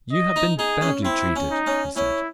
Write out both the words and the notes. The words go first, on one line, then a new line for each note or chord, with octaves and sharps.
"You have been badly treated," he said.
D#5
D#4
D#4 G#4
C#4
C4 E4
C#4
D#4
C#4
C#4 E4